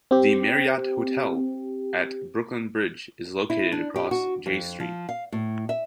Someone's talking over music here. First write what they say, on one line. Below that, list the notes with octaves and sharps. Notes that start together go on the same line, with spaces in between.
The Marriott Hotel at Brooklyn Bridge is located across Jay Street.
C4 G4
E4
D4
G4
F#4
F2
F3
F5
A2
E5